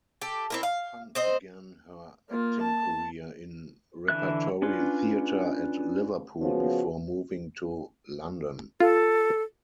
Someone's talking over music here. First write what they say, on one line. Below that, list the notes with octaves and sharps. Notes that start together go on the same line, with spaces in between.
Hunt began her acting career in repertory theatre at Liverpool before moving to London.
G4 A4
C4 E4 A#4
F5
C4 C5 D#5
A#3 F4
A5
D3 E3 E5 F#6
C#4 D4 F4 B4
C#3 F3 B3 F#4
F4 A4